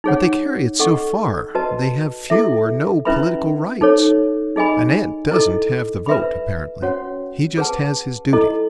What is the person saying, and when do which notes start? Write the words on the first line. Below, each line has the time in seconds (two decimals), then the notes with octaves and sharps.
But they carry it so far, they have few or no political rights. An ant doesn't have the vote, apparently: he just has his duties.
0.04 D#4 G#4 C#5 F#5
0.79 A4 D#5 F#5 C#6
1.55 F#4 B4 D#5 A5
2.30 E4 A4 E5
3.05 C#4 E4 B4 E5 B5
3.81 D#4 A4 C#5
4.56 D#4 G#4 D#5 G#5 B5
5.31 E4 A4 D#5
6.06 B4 E5 B5
6.82 C#4 F#4 C#5 F#5
7.58 G#4 B4 F#5 A5
8.33 E4 A4 D#5